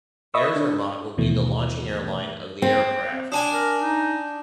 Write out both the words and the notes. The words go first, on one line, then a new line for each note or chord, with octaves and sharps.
Air Zermatt will be the launching airline of the aircraft.
D#5 E5 B5 C#6 D#6 E6
D4
D#2 B2 E3 A3
C4
D4 D5 G#5 A5 D#6
A#4
D#4